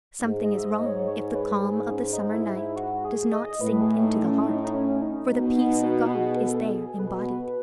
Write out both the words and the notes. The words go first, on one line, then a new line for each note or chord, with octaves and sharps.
Something is wrong if the calm of the summer night does not sink into the heart, for the peace of God is there embodied.
G#2
D#5
E5
D#5
C#5
C#5
B4
G#4
C#4
D#4
E4
E4
F#4
G#4
D#5
A2 B4
G#4
D#4
C#4
D#4
D#4
C#4
D#4
B2
F#4
G#4
B4
A4
G#4
B2 B4